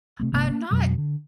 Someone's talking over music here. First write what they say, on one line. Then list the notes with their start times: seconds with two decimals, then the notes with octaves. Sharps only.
I'm not
0.20 C3 A3 B3
0.32 G1 C3 A3 B3
0.49 A#3
0.71 F2 B2 F#3 G#3
0.98 D3